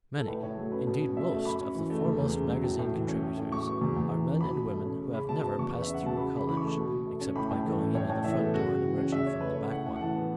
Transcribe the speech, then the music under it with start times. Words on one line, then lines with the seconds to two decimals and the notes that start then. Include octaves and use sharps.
Many, indeed most, of the foremost magazine contributors are men and women who have never passed through a college except by going in at the front door and emerging from the back one.
0.16 A4
0.28 A2 B4
0.43 A2 C#5
0.58 F#3 A4
0.72 C#4 B4
0.87 B2 B4
1.02 C#4
1.17 F#3 E5
1.32 A3
1.45 F#2 B5
1.60 C#4
1.75 E3
1.90 A3
2.05 E2
2.19 E2
2.35 C#3
2.49 F#3
2.64 A2
2.79 A2
2.93 E3
3.08 C#4
3.23 A2
3.37 A2
3.52 F#3 C#6
3.67 B3 C#6
3.81 E2
3.97 E2
4.12 E3
4.26 C#4
4.41 B2 B5
4.55 B2
4.70 A3
4.85 C#4
5.00 C#3
5.15 C#3 B5
5.29 F#3 A5
5.44 B3 A5
5.59 E2 C#6
5.74 B3
5.82 E5
5.88 C#3
5.94 F#5
6.03 F#3 A5
6.17 C#3 B5
6.33 C#3 B5
6.47 E3 B5
6.57 A3 C#6
6.77 B2
6.92 B2
7.06 A3
7.21 C#4
7.36 A2 B5
7.51 A2
7.65 E3 A4
7.80 C#4
7.95 A2 C#5
8.10 A2 C#5
8.24 E3 E5
8.39 B3 A4
8.54 C#3 F#4
8.68 C#3
8.83 E3
8.98 C#4
9.12 C#3 E5
9.26 C#3 C#5
9.41 A3 B4
9.54 C#4 C#5
9.71 A2 F#5
9.86 A2
9.96 F#5
10.01 E3 A5
10.16 B3